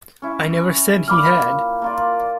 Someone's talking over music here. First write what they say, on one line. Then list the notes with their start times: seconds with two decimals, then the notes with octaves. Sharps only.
I never said he had.
0.22 C#4 E4
1.08 A#2 B5 D6 F6
1.82 A#3 F4 D5